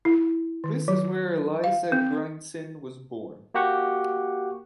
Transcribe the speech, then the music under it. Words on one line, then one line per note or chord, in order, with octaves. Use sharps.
This is where Elisa Griensen was born.
E4
D#3
F#3
F5
C4
A#3 F#4 G4 F#5 C#6